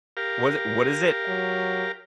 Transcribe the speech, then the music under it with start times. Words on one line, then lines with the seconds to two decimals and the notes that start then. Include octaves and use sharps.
Was it what is it?
0.17 G4 A#4 F5
1.28 F#3